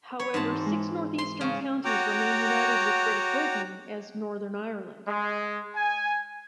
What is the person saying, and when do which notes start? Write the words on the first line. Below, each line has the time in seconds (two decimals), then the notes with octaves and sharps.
However, six north-eastern counties remained united with Great Britain as Northern Ireland.
0.20 C#5 B5
0.34 G#2 E3 C4 F#4 A5
0.65 G#3
1.18 C6
1.41 C#3 F5 A5 C#6
1.85 F#4 C#5 F#5 G5 A#5 D6
5.07 G#3
5.77 G#5